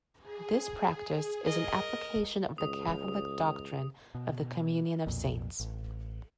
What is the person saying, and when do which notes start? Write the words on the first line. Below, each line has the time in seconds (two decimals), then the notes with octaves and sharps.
This practice is an application of the Catholic doctrine of the Communion of Saints.
0.21 G#4
1.45 A#4 D#5
2.58 C#2 D#6
4.15 B2
5.07 B1 F2 A#2
5.60 A1